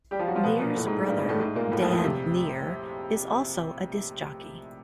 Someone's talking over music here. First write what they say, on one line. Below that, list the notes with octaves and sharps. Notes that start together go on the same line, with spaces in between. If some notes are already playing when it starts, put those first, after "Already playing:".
Neer's brother Dan Neer is also a disc jockey.
G3 G4
F3 F4
F#3 F#4
F3 F4
B2 B3
A#2 A#3
A2 A3
G#2 G#3
G2 G3
G#2 G#3
A2 A3
G#2 G#3
A#2 A#3
A2 A3
F2 F3
F2 F3
C3